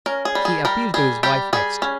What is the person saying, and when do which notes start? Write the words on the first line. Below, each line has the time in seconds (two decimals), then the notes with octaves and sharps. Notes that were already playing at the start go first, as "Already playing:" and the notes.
He appealed to his wife next.
0.06 C#4 A#4
0.25 G#4
0.35 G3
0.45 G#4
0.65 G3 A#4
0.94 G3 G#4
1.23 G3 G4
1.53 G3 G#4
1.82 C#4